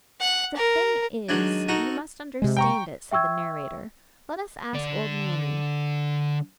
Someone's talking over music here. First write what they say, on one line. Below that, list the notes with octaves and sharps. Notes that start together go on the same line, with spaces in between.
"The thing is, you must understand it," said the narrator; "let us ask old Nanny."
F#5
A#4
D#3 F#3 G#3 D4
D#4 F#4 A4 A#4
C3 G#3
G5 A#5 C#6
E5 G5 C#6 E6 G#6
D3 D5